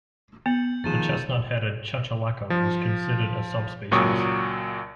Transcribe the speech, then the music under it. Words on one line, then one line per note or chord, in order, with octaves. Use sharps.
The chestnut-headed chachalaca was considered a subspecies.
B3 G6 C#7 F#7
D#3 F3 G#3 A6 D#7 E7
F3
C#2 A#2 F#3 C#6 D#6